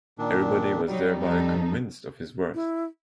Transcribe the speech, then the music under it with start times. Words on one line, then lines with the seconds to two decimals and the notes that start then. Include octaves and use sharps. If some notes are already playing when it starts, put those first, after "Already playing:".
Everybody was thereby convinced of his worth.
0.19 A#2 D#3 D4
0.87 F#3 G3 D#4
1.19 F2 D#4 A4
2.54 E4